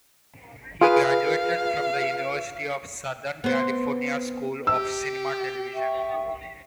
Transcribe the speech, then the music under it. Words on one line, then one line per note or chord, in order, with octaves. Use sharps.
He graduated from the University of Southern California's School of Cinema-Television.
F4 G#4 B4 F5
B3 C4
G4 E6
E5 G5 C#6